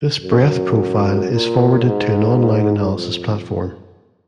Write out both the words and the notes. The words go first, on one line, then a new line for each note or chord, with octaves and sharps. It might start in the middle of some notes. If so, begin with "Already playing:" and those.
This ‘breath profile’ is forwarded to an online analysis platform.
F#2
A#2
G#2
F2